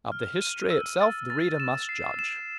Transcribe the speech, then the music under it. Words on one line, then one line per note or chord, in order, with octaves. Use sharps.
Of the history itself the reader must judge.
F6
D#7
E6
A6
A6
E7
C7
E7